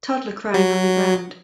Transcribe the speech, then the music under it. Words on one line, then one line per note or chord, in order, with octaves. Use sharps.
Toddler crying on the ground.
F#3